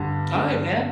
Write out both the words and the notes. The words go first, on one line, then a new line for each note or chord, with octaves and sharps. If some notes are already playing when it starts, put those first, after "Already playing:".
Aight, man.
Already playing: G2 D3
G2